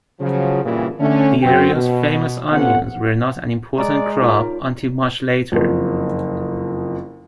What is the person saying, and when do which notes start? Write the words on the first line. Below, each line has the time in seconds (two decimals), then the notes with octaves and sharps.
The area's famous onions were not an important crop until much later.
0.20 C#3 F3 F#3
0.64 G2 A#2 C#3 E3 G3
0.99 D3 A3 C#4
1.43 F#2 C4 F#4 G5
1.74 B2
2.51 C3 B3 C#4 F4 A4 F#5
3.78 G#3 D5 A#5
4.21 D#4 F4 A#4 C#5
5.52 F#1 F2